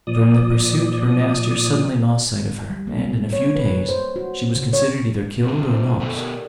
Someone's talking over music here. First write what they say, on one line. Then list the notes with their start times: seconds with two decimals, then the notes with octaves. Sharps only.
During the pursuit her master suddenly lost sight of her, and in a few days she was considered either killed or lost.
0.07 A#2 F3 D5 D#6
2.70 G3
2.87 A#3
3.11 C3
3.33 C#5
3.56 B4
3.89 C5
4.16 F#4
4.55 C#3
4.73 C#5
5.43 G2 C3
5.70 C5
6.00 B2 A3 A4 G5
6.15 G4 A#4 D5